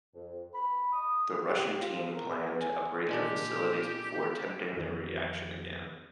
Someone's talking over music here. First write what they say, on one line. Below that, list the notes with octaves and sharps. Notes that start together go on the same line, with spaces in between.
The Russian team planned to upgrade their facilities before attempting the reaction again.
F2
B5
D#6
G4
F4
F3
A#4
E2
G#5
A#2 G#3 D4 G4
F2 D#3